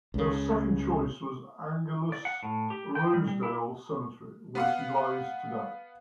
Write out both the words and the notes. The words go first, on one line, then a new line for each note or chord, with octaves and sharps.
Her second choice was Angelus-Rosedale Cemetery, where she lies today.
C#2 C#3
D5
F#5
A2
G4
G5
G3
G3
E4
B3 F5 F#5